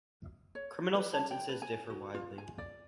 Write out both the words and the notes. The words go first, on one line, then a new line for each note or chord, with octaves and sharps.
Criminal sentences differ widely.
C#5
B4
A5
G5
B4
G#5
F#4
F4
G#5
D5